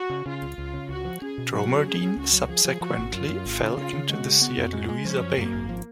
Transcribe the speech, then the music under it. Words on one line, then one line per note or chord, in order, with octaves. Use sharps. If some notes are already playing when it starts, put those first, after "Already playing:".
Droemerdene subsequently fell into the sea at Louisa Bay.
Already playing: F#4
C#3
C#3 F4
C#2
C#2
C#3
C#2 F#4
F3
C#4 G#4
B2
F#3 F#4
C#4
C#4 G#4
C#4
C#2 F#4
F#3
F3 G#4
F3
F3 F#4
G#1
F#2 F4
F#2
G#1
C#3
C#3 F4
C#3
G#3 F#4
C#3
B3
F2
G#3
G#3
F3 C#4
F#2
F#2 A#3
G#1
F3